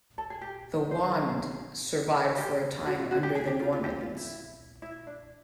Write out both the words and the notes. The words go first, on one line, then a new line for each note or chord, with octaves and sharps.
The 'wand' survived for a time under the Normans.
A4
G#4
G4
C5
C5
G#4
G4
F#4
F4
F#4
G4
G#4
G4
F4
F4
G4
F4
E4
E4
D4